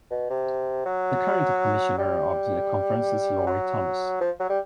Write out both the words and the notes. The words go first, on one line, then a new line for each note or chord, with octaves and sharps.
The current commissioner of the conference is Lori Thomas.
B2
C3
F#3
G3
F#3
F3
F#3
G3